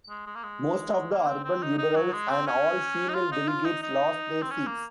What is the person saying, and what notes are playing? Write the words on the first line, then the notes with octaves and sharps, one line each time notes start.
Most of the urban liberals and all female delegates lost their seats.
G#3
G#3
A#3
G#3
A#3
C4
C4
D#4
D#4
F#3
G#3
C4
C#4
D#4
F4
D#4
F4
D#4
D#4
C4
C#4
A#3